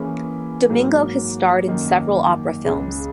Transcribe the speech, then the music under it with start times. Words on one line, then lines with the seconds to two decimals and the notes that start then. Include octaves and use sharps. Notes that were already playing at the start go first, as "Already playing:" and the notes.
Domingo has starred in several opera films.
Already playing: E3 A#3 C#4 E4 G#4
0.69 G#2 F#3 A#3
1.68 F#2 D#3 A#3 D#4
2.65 C#2 C#3 G#3